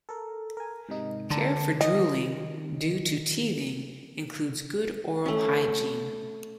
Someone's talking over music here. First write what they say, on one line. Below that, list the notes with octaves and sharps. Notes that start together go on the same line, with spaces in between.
Care for drooling due to teething includes good oral hygiene.
A4 A#4
A#4 G#5
G#2 C3 D#4
D3 D5 A#5
D#3 D#5
A3 C#4